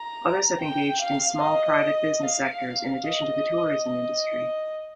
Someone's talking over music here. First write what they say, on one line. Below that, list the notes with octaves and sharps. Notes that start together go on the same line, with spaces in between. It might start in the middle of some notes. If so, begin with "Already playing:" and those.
Others have engaged in small private business sectors, in addition to the tourism industry.
Already playing: A#5
G5
F5
D#5
F5
D#5
D#5